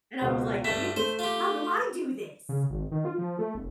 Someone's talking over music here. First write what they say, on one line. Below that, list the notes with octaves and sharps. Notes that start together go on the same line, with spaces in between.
And I was, like, "Yes! How do I do this?"
C#2 B2 C5
G2 A3 B6
A3 C5
F4 G4
C#3
G#1
D#3
F4
F3
A3
F1